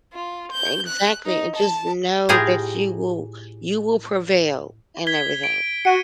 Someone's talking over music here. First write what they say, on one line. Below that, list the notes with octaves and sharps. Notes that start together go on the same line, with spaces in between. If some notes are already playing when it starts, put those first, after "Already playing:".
Exactly, and just know that you will you will prevail in everything,
F4
G6
F#6
D#4
A5
A2 F4 G4 G#4 G#5 A#5
G#6 B6 G7
D7
F#4 C#7 D#7